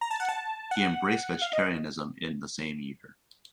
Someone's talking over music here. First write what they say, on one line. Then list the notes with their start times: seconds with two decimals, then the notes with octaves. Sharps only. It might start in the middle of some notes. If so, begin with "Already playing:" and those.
He embraced vegetarianism in the same year.
0.01 A#5
0.11 A5
0.20 F#5
0.29 A5
0.71 F#5
1.42 F5
1.53 D#5